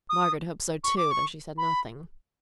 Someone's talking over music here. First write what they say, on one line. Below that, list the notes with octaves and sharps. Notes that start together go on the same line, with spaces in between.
Margaret hoped so too, though she said nothing.
D#6
C#6
D6
C#6
B5